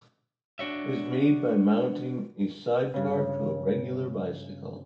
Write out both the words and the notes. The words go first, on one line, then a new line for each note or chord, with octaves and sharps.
It is made by mounting a sidecar to a regular bicycle.
D4 F#4 C#5 E5
G2 C#3